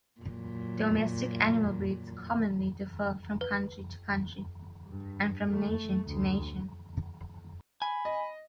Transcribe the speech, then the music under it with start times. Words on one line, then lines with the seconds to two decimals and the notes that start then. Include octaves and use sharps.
Domestic animal breeds commonly differ from country to country, and from nation to nation.
0.21 A#2 F#3
3.41 B4
4.87 G2
5.49 A3
6.07 D2
7.82 G#5 B5
8.05 D#5